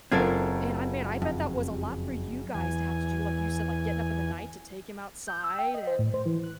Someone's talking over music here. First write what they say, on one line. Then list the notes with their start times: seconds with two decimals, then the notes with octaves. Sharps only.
and I man, I bet that was a lot for you guys to have to do, like you said, like, getting up in the night to take him outside and
0.12 F#1 C4 F4 A4 A#4 G#6
1.22 F2
2.54 E2 G#5
5.28 G6
5.44 E6
5.59 G5
5.74 D#5
5.87 C5
5.99 A2
6.14 C5
6.26 E3
6.44 F#6